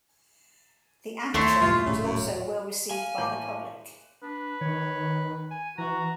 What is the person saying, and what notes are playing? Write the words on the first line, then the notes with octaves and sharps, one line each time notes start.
The Amitron was also well received by the public.
D#2 A3 E4 C#5 C6
G2 A#2 G3 F4
D#1 A2 C#3
F#2
F5 G#5
A2 A#3 C#5 A5 D6
D4 B4
D#3 C#5
G#5
E3 F#4 A#5